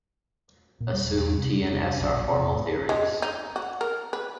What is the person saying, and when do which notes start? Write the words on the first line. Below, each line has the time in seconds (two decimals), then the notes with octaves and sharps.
Assume T and S are formal theories.
0.81 A#2
0.93 G3
1.05 E1
1.20 E2
1.37 C3
1.52 G3
1.66 F1
1.85 F1
1.99 B1
2.15 A#1
2.32 C3
2.52 A2
2.89 G#3
3.22 D#4
3.56 F#4
3.81 A#4
4.13 B4